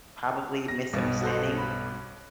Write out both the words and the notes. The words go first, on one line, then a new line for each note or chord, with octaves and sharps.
probably misunderstanding
A#6
B1 G2 B2
F#4 A4 C5
B5 F#6